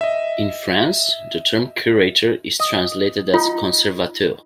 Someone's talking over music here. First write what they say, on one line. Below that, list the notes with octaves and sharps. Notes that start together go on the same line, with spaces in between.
In France, the term curator is translated as "conservateur".
D#5 E5
D#5
D#4 F4